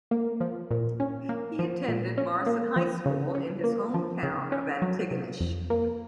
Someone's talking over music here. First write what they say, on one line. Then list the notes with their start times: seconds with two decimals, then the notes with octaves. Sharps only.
He attended Morrison High School in his home town of Antigonish.
0.11 A#3
0.40 F3
0.71 A#2
1.00 C#4
1.29 A#3
1.59 F3
1.88 A#2
2.17 C#4
2.46 A#3
2.76 F3
3.06 C#3
3.35 C#4
3.64 A#3
3.94 F3
4.23 C#3
4.52 C#4
4.82 F#3
5.11 C3
5.40 F2
5.70 A#3